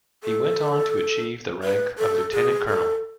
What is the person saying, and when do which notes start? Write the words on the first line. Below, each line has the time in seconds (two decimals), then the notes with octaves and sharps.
He went on to achieve the rank of lieutenant-colonel.
0.24 A4
1.63 B4
1.99 A4
2.33 G#4
2.68 A4